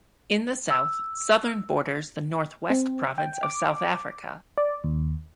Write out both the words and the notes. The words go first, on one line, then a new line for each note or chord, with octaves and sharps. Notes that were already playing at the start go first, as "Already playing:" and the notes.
In the south, Southern borders the North West Province of South Africa.
E6
C4
G5
D6
D5
D#2